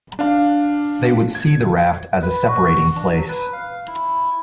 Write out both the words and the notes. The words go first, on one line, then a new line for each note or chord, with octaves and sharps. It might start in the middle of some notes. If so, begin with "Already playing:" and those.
They would see the Raft as a separating place.
D4 F5
G#6
B4
F#4
D4
F#3
B4
F5
E4